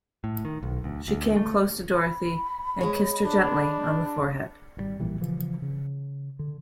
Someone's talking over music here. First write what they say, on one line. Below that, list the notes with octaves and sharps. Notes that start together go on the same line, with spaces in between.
She came close to Dorothy and kissed her gently on the forehead.
A2
D#3
B1
D2
D2
A3
B5
G#3 C#5
D4
G#1 D#3 G3
A#1 A#2 E3 G3
C#3 E3 F3
C#3
D3